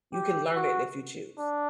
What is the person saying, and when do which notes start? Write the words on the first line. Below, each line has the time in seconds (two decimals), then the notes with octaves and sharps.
You can learn it if you choose.
0.14 G4
0.56 F#4
1.40 D4